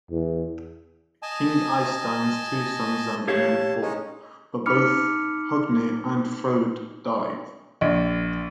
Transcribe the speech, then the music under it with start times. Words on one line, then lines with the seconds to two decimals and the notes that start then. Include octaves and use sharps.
King Eystein's two sons and their men fought, but both Hogne and Frode died.
0.11 E2
1.23 D#5 G#5 A5
3.28 G4 C#5 F5 A5
3.82 G#3 C#4 D#4
4.66 D#4 B5 D6 F6 C#7
7.81 A#1